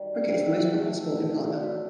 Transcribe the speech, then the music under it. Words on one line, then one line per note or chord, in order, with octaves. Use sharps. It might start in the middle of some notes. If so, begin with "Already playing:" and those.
Cricket is the most popular sport in Palghar.
Already playing: G2 D#3 G3
F5 G5
E5 F#5
C3 E3 A3 E5 F#5
D3 F#3 B3 D4 D#5 F5
D5 E5